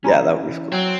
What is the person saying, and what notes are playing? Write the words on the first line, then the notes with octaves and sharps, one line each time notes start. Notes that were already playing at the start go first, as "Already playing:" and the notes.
Yeah, that would be f cool.
E3 C#4 G#5 A#5 B5
F#3 C4